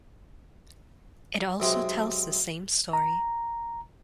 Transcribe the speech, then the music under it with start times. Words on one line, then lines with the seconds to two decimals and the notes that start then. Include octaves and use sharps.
It also tells the same story.
1.60 B1 C3 G#3
2.93 A#5